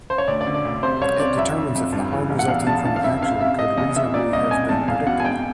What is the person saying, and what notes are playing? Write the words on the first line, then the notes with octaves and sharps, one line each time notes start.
It determines if the harm resulting from an action could reasonably have been predicted.
C5
C#5
D2 D5
D5
D3
D5
D2
C3 C5
C2 C#5
C3 D5
F2 E5
D3
F2
G2
E3
A1
F#5
E2 F5
E2 A5
E2 A5
F5
F2 E5
C3 F5
C3 E5
C3 D#5
E2 D#5
C3 E5
A#2 D5
C2 D#5
C2 G#5
E2 A5
E2 F5
B2 F#5
G#5
G#1 G5